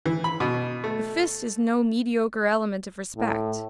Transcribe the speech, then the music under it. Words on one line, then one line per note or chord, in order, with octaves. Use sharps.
The fist is no mediocre element of respect.
E3
B5
B2
A3
A2